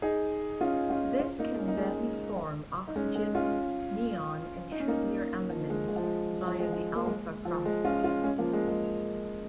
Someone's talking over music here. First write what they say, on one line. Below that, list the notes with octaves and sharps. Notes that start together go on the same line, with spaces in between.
This can then form oxygen, neon, and heavier elements via the alpha process.
D#4 G#4
C#4 F4
C#4 F4
C#4 F4
A#3 D#4
C#4
D#4
G#3 C#4
D#4
G#3 C#4
G#3
C#4 F4
D#4
C#4
A#3 D#4
F3
G#3
G#3
F3
G#3
F3
G#3
F3
A#3
G#3
F3
G#3
C#4 F4
C#4 F4
G#3 C#4
F3 A#3
G#3
G#3